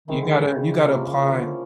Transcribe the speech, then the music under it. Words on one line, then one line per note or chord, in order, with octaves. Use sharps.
You gotta you gotta apply,
D#3 G#3 C4 E4
D3
D#3
C#3
C3 F3 A#3 C#4 E4
C#3
D3